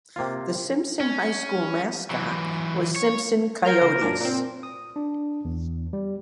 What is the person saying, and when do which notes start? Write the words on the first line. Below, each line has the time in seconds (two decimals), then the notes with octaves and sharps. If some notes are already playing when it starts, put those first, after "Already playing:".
The Simpson High School mascot was Simpson Coyotes.
0.16 C3 A#3 C4 F4
1.01 C#4
2.10 E3 F#3
2.96 C#5
3.65 A#4 F6 G6 G#6
3.81 C#3 C5
4.01 F#2 A#2 D4
4.20 A#2 C4
4.63 D#6
4.96 D4
5.45 E2
5.93 G3